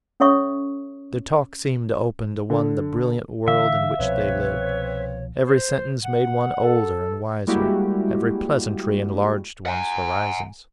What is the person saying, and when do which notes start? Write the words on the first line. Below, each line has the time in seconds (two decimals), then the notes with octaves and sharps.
Their talk seemed to open to one the brilliant world in which they lived; every sentence made one older and wiser, every pleasantry enlarged one's horizon.
0.20 C#4 A4 C#5 E5 C#6 D#6
2.50 D3
3.48 D3 E3 E5 F5
3.99 C2 B2 F3 C4 B4 C#5
5.47 C5
6.04 F#5
6.60 A4
7.47 G3 G#3 A#3 E4 F#4 G4
9.66 F#5 G#5